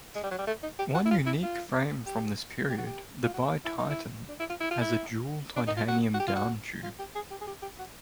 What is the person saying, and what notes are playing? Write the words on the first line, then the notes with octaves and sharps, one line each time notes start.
One unique frame from this period, the Bititan, has a dual titanium down tube.
G#3
G3
F#3
G3
A3
D#4
G4
F#4
E4
F4
E4
F4
G4
G4
F#4
G4
F4
F#4
E4
D#4
E4
D4
E4
F4
E4
F4
E4
D4
D#4
F4
F#4
F#4
G4
F4
F#4
F4
G4
G#4
G4
G#4
G4
G4
F#4